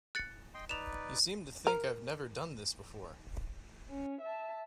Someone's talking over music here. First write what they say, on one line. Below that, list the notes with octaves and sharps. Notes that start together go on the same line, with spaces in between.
You seem to think I've never done this before.
F#6 A6 C#7
D#5 G5 C6
D#4 B4 D5 E7 F7
A#4
C#4
E5 A5